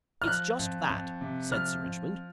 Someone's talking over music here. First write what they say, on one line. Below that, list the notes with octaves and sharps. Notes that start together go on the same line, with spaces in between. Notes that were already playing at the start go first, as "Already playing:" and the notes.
"It's just that," said Sir Richmond.
F6
F3 F#6
F2
F2
C3
F3 F6
F2